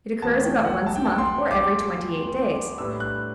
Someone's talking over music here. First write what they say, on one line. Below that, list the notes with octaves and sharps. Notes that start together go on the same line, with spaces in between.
It occurs about once a month or every twenty-eight days.
E2 B2 A3 A5
G5
F#5
A5
G5
A5
C6
D6
A2 G3 B3 D4 E6
F#6